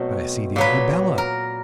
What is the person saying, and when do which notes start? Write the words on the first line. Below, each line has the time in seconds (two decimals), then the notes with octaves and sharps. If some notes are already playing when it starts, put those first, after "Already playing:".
"But I see the Arabella."
Already playing: B2 F#3 A3 C4
0.56 A#2 F#3 B3 B4
1.18 A#4